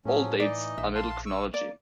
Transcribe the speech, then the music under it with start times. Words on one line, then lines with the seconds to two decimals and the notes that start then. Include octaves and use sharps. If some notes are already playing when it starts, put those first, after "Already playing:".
All dates are middle chronology.
0.06 A2 F3 F#3 C#4
0.40 E3 D#4 D5 D#5
0.78 A#1 E5
0.95 F5 A5 C6
1.26 C#6 E6
1.54 A#3 D5